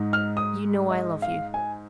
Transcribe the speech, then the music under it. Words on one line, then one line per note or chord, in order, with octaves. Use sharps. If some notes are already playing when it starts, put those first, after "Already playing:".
"You know I love you."
Already playing: G#2 G#3 D#4
F6
D#6
D#5
F5
G#5